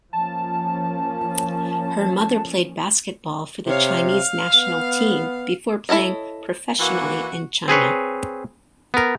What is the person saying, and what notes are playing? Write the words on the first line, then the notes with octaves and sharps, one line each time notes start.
Her mother played basketball for the Chinese national team before playing professionally in China.
F3 A#3 C#4 A5
C3 C#5 F5
F5
B3
E4 A4 C#5 D#5
E3 A#3 F#4
C4 G#4 B4 C#5
B3 A#4